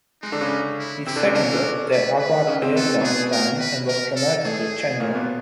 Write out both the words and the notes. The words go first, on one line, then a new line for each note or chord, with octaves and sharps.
He seconded the Agua Prieta Plan and was promoted to General.
G#3 D#4
D3 D4
C#3 C#4
E4
C3 C4 E4
D3 D4
C#3 C#4
D4 A#4
C#4
D3 D4
B4
B4
C#3 C#4
C3 C4
B3 A4
C4
B2 B3 G#4
A#4
B4
A#4
A4
A3 G#4
A#2 A#3
B2 B3